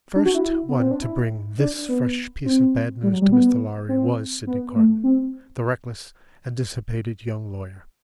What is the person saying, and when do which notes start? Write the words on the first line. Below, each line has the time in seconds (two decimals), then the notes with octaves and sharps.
The first one to bring this fresh piece of bad news to Mr. Lorry was Sydney Carton, the reckless and dissipated young lawyer.
0.16 D4
0.26 F#4
0.35 E4
0.69 B3
0.80 C4
0.91 D4
1.02 E4
1.59 D4
1.89 B3
2.46 C4
3.03 G3
3.13 F#3
3.22 G3
3.32 B3
3.89 C4
4.47 B3
4.76 A3
5.04 C4